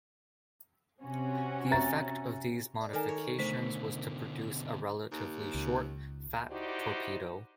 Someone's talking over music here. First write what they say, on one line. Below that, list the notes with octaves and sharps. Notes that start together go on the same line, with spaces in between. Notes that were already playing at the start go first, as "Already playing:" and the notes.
The effect of these modifications was to produce a relatively short, "fat" torpedo.
C3 C#4 F#4
E5 A#5 A6
D5
D#3 A4 A#4 G#5 A5
C#5
B2 D3 A3 C5 B6
D#2
C#2
D#4 E4 F#4 G4 C5 D5